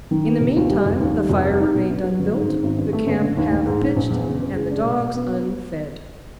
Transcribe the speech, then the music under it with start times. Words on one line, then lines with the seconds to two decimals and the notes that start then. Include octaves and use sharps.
In the meantime the fire remained unbuilt, the camp half pitched, and the dogs unfed.
0.11 D#3
0.26 B3
0.40 C3
0.56 D#2
0.71 G3
0.85 F1
1.00 D#2
1.14 G3
1.29 F1
1.45 G3
1.60 D#4
1.74 B2
1.89 G2
2.04 F#3
2.19 G1
2.34 G#2
2.47 G#1
2.63 G#1
2.77 G2
2.93 A3
3.07 G1
3.22 D3
3.37 D#2
3.51 D#2
3.66 G#2
3.82 A#1
3.96 A#1
4.10 E2
4.26 F#1
4.40 F#1
4.55 G#3
4.70 D4
4.84 B2
5.00 B2
5.14 B3